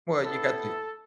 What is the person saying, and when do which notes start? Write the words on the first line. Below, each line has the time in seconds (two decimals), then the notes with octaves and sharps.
Well, you got the
0.21 B3 E4 A4